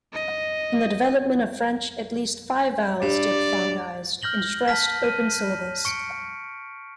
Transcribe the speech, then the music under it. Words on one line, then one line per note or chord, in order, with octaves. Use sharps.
In the development of French, at least five vowels diphthongized in stressed, open syllables.
D#5
G2 D5
F6 G6 A#6 F#7 G7
A5 F6 B6
F6 D#7
C#6 C#7 D7